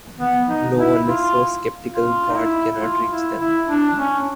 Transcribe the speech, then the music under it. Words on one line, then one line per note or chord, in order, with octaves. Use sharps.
No one is so skeptical God cannot reach them.
B3
D#4
E4
F4
F4
D#4
E4
F4
E4
E4
D4
C#4